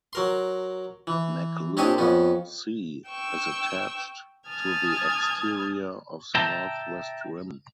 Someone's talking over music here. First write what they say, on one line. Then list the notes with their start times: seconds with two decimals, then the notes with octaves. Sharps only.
McClure C is attached to the exterior of the northwest rim.
0.13 F#3 A#4 C6
1.07 E3
1.77 C4 D4 G4 C#5 D#5 G#5
1.98 F2 B3 C#4
3.09 G5 C#6 E6
4.48 G#5 A5 D#6 F6 G#6
6.35 E5 G5 A5 A#5